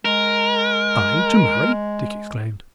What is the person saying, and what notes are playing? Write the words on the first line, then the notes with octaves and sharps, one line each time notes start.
"I to marry!" Dick exclaimed.
G#3 A#4